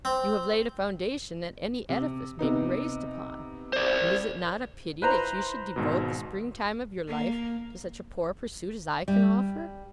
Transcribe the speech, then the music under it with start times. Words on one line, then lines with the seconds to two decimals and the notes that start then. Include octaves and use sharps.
You have laid a foundation that any edifice may be raised upon; and is it not a pity that you should devote the spring-time of your life to such a poor pursuit as I can offer?'
0.05 C4
1.89 C3
2.39 C3 B3 D#4
3.73 C5 D5
5.02 E4 B4 C5 A#5
5.76 G#1 G#2 B2
7.08 A#3
9.08 G3